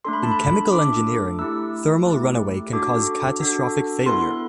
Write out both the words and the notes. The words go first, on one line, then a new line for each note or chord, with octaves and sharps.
In chemical engineering, thermal runaway can cause catastrophic failure.
A3 D4 A4 C6
B5
A5
B5
A3 D4 A4 D6
A3 E4 G4 E6
A3 E4 G4
D4 F#4 A4 D6
D4 F#4 A4
B3 E4 A4 C6